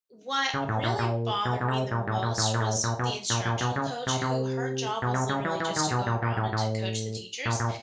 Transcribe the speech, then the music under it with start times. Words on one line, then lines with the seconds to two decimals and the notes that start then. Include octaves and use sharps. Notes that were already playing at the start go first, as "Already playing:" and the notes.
what really bothered me the most was the instructional coach, who- her job was literally just to go around and to coach the teachers-
0.54 C#3
0.69 A2
0.84 A#2
0.99 A#2
1.45 B2
1.61 B2
1.68 C3
1.91 A#2
2.07 A2
2.22 A#2
2.38 A2
2.54 A#2
2.60 A2
2.83 A#2
2.99 B2
3.30 A#2
3.45 A#2
3.61 B2
3.76 C#3
4.07 C3
4.22 C3
5.02 B2
5.14 C3
5.29 C#3
5.45 E3
5.60 E3
5.76 D#3
5.91 B2
6.06 A#2
6.22 A#2
6.37 A2
6.53 A2
7.45 A#2
7.60 A#2